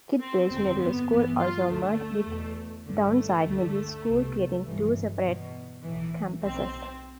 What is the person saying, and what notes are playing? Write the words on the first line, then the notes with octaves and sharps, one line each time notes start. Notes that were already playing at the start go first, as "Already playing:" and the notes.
Kitbridge Middle School also merged with Downside Middle school, creating two separate campuses.
C4
G1 F2 D3 C4
B3
A1 G2 E3 B3
F4
D2 D3 A3
E2 B2
G1 G2 D3 A3
D2 D3
C2 B2
G1 G2 E3
E2 B2
B1 A2 E3
B1 B2 C4